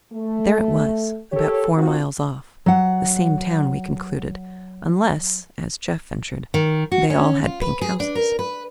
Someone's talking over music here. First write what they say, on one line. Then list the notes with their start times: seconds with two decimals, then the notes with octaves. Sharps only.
There it was, about four miles off, the same town, we concluded, unless, as Jeff ventured, they all had pink houses.
0.13 A3
1.32 G4 A4 A#4 C#5
1.74 A#3 C4 F4 F#4
2.66 F#3 F#5
6.54 D#3
6.92 F#4
7.10 C#4
7.44 F4
7.61 B4
7.81 G#4
8.00 D4
8.15 A#4
8.39 B4